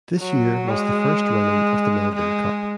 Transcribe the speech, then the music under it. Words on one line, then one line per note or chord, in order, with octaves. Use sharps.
This year was the first running of the Melbourne Cup.
F#3
G#3
G#3